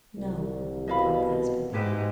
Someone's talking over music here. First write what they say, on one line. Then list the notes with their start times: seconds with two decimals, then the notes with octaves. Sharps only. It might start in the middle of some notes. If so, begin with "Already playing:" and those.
"No," replied the husband.
0.16 C2
0.88 B2 D#5 F5 B5
1.73 G#2 E4 G4 B4